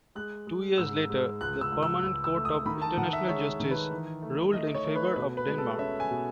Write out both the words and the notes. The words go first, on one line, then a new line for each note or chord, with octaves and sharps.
Two years later, the Permanent Court of International Justice ruled in favor of Denmark.
G#3 F#6
G#3
G#2 E6
G#3
C#2 F#6
E6
C#2
E6
C#2
E6
A3
D#6
D#3 B5
A5
D#3 F#5
E5
G#3 C#5
D#3
B4
E3
A3
A3 D#5
C#5
A3
B4
B2 B4
B4
G#3
A4
C#4 E5
G#5
B2